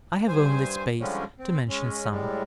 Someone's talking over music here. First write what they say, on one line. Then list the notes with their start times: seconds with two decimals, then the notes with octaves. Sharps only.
I have only space to mention some.
0.28 G2 C5 G#5
1.00 D3 F3 G3 G#3 C#4
1.39 C4
1.69 G#3 C#4
2.10 A2 G3 G#3